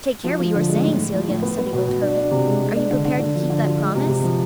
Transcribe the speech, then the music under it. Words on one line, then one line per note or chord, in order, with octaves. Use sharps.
"Take care what you are saying, Celia," said the old hermit; "are you prepared to keep that promise?"
F3
F3
D3
G#3
A2
A2
F3
A2
B3
B3
B2
B2
D4
D4
C3
G#3
G#3
D4
D3
D3
D3
F3
D3
F4
G#3
C3
C3
F3